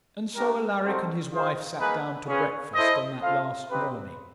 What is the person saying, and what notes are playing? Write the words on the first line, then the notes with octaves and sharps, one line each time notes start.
And so Alaric and his wife sat down to breakfast on that last morning.
A3 D4 G4 A#4
C4 D#4 F#4 A4 C5
F4 G#4 C5 F5
A#3 D#4 G#4 B4
C#4 F4 G#4 B4
E4 A4 C5 D#5
F4 A4 C5 F5
C4 D#4 G4 B4